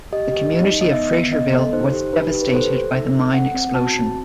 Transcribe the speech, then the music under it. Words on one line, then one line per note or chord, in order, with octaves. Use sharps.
The community of Fraterville was devastated by the mine explosion.
G4 D#5
G4
D#4
D#4
D#5
B3 E5
B3
B3 D#5
A4
D#4 C5
G4
D#4 B4
G4
B4
A4 C5
A4
D#4 E5
A4
C4 F#5
C4
F#4 A5
C4